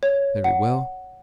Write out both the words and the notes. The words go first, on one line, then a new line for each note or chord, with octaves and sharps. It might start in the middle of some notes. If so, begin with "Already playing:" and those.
Very well.
C#5
F#5